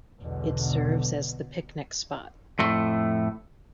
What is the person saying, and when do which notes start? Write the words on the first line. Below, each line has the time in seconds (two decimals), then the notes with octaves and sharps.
It serves as the picnic spot.
0.19 B1 E2 B2 D3
2.59 F2 A2 A3